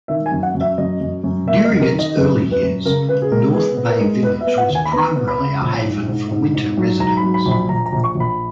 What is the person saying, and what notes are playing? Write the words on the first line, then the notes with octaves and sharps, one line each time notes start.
During its early years, North Bay Village was primarily a haven for winter residents.
D#3 E5
G#5
F#2
F#5
F#2
E5
F#2 D#5
F#2
F#2
A#3 E5
D#5
F#2
A#4
D#3
D#5
F#2 B4
F#2
B4
F#2
C#3 A#4
C#3 B4
G#4
G#3 A#4
B3 G#4
B3
A#4
G#3
B3 B4
E5
B3
F#5
D#2
G#5
B5
B3 A#5
B3
B5
C#3
A#1
G#2
G#2
G#2
G#2
F#3
G#2 A#5
B5
F#3
B5
A#1
B5
A#1 A#5
A#5
A#1
C#6
A#1
B5